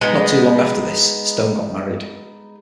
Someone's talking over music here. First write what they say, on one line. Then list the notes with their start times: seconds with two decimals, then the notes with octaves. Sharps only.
Not too long after this, Stone got married.
0.01 G#3 B3 D#4